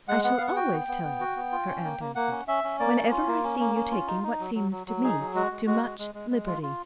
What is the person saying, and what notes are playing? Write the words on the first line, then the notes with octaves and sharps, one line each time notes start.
"I shall always tell you," her aunt answered, "whenever I see you taking what seems to me too much liberty."
G#3 F#5
B3 F#5
B3 F5
F#5
F#4 G5
B3
B3
B3
F#4
B3
F4
C#4
A#3
A#3
A#3 F#5
C#4
C#4 E5
C#4
A#3 D5
C#4
F4
A#3
C#4
A#3
C#4
F4
D#4
D#4
F#3
F#3
F#3
F#3
D#4 G#4
F#3
G#3 F#4
G#3
G#3 F#4
G#3
G#3
G#3
G#3
F4
F4